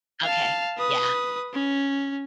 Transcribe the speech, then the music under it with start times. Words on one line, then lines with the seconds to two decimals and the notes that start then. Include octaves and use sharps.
Okay. Yeah.
0.22 F5 A5
0.78 B4 D#6
1.53 C#4